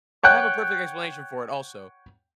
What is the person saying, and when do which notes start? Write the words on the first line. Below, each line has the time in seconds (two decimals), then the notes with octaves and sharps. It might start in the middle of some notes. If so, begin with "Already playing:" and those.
I have a perfect explanation for it also.
0.23 C#5 F#5 G5 F#6